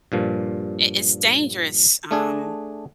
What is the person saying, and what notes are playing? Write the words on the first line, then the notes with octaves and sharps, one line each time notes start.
I it's dangerous um,
G2 A#2 F3
A3 D4 G#4